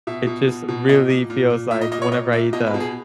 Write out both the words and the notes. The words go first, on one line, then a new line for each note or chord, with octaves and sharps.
It just really feels like whenever I eat the
B2 E5
B2
B2
B2
A#2 D#5
A#2
A#2
A#2
A#2 E5
D#5
A#2 D#5
C#5
A#2 D#5
A#2 E5
B2 D#5
B4
B2
G#4